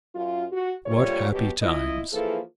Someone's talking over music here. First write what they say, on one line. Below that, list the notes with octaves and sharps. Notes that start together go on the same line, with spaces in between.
What happy times!
F#2 F4
F#4
D2 A#2 G3 F4 C#5
B2 F#3 G4
E4 F4 D#5
E3 F3 A#3 E4 G#4 A4